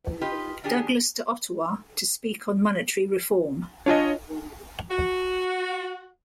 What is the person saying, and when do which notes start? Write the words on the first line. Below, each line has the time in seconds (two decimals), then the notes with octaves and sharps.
Douglas to Ottawa to speak on monetary reform.
0.21 F4 G4 B4 D#5
0.64 D#3 D4 G4 G#4
3.86 D4 F4 C#5 D#5 G#5
4.91 F#4